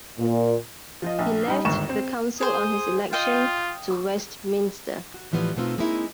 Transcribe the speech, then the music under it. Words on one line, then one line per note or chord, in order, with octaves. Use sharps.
He left the council on his election to Westminster.
A#2
F3 F4 D#5
A#1
G3 D#4
G1 D#2 G#2 C#6 E7
C4
G#4 C5 D#6
F4 D#5 F5 G5
F#4
A2 E3 F3 G3 B3
B2 A3 B3 C4 D#4 F4
G#3 A#3 C4 D#4 E4